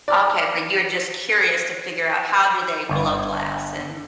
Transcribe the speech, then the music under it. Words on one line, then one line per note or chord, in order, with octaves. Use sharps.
Okay, but you're just curious to figure out how do they blow glass and
D5
G1